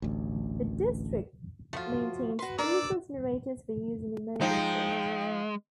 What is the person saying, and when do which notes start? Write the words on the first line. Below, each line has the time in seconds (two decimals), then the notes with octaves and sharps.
The District maintains diesel generators for use in emergencies.
0.02 A1 D2
1.73 F3 A3 F4 F#4
2.39 F#4 B4 C6
2.58 D4 A#4 D5 E6
4.41 F3 G#3 D#4 G5